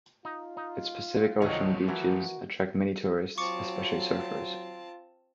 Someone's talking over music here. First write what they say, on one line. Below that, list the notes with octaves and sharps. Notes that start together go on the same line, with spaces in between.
Its Pacific Ocean beaches attract many tourists, especially surfers.
D#4 F4
D#4
C2 D#3 F3 F#3 A3 C#5 D#5
E3 F#4 A#4
F#3 C4 F4 A5 C#6 D6 C#7